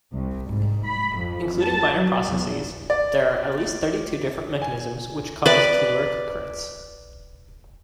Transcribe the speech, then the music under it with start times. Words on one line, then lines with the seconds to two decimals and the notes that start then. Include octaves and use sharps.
Including minor processes, there are at least thirty-two different mechanisms which cause telluric currents.
0.13 C2
0.50 G#2
0.85 B5
1.17 F2
1.61 A5
1.95 F#3
2.29 E2
2.90 D5
4.62 G#5
5.46 B4 D5